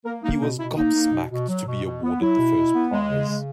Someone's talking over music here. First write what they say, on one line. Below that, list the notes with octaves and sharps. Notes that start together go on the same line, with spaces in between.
He was gobsmacked to be awarded the first prize.
A#3 A#4
A#3 D#4
B2 D#4
B2 E4
A#3 D#4
A#3
B2
B2
F#3
B2
B2
B3
F#3 E4
B2
B2
B3
G#3
C#3
C#3